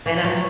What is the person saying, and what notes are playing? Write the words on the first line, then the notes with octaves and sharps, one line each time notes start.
and I'm a
E3
F#3